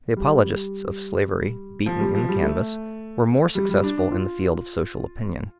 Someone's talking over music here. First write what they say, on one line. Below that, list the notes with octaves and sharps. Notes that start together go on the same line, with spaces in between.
The apologists of slavery, beaten in the canvass, were more successful in the field of social opinion.
G3
F3
G3
F3
G3
A3
G3
G3
D4
D4
F4